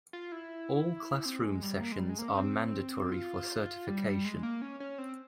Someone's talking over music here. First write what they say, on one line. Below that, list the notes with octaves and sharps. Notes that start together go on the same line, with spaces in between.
All classroom sessions are mandatory for certification.
F4
E4
C4
G#3
G3
A#3
G#3
G3
G#3
A#3
C#4
C4
F4
G3
G#3
A#3
C#4
C#4
C4